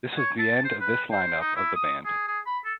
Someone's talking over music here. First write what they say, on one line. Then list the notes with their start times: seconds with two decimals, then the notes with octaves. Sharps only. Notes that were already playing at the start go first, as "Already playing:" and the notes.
This was the end of this line-up of the band.
0.17 C#5
0.38 A5
0.64 C5
0.80 B4
1.11 C5
1.40 D#4
1.55 E4
1.75 D#6
2.05 G#4
2.27 G#4
2.46 B5
2.65 A4